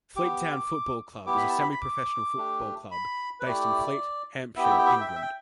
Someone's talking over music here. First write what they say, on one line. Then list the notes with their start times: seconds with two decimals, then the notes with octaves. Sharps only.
Fleet Town Football Club is a semi-professional football club based in Fleet, Hampshire, England.
0.16 B3 G4 D6
1.26 B3 E4 G4 D6
1.37 B5
1.49 A5
1.60 B5
1.71 B5
1.81 D6
2.36 A3 D4 G4
2.91 B5
3.40 B4
3.46 A3 E4 G4 D5
4.56 B3 E4 G4 E5
4.64 G5
4.70 E5
4.79 G5
4.86 E5
4.93 G5
5.01 E5
5.08 G5
5.15 E5
5.22 G5